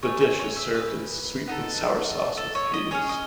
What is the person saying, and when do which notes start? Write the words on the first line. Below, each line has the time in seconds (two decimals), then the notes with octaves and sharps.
The dish is served in sweet and sour sauce with peas.
0.03 E4 G#4 C#5
0.08 A3
0.21 C#5
0.40 C#5
0.56 E5
0.75 B4
1.47 B3 D#4 A4
2.37 A4
2.55 C#5
2.74 D#5
2.91 C#4 G#4 C#5
3.09 D#5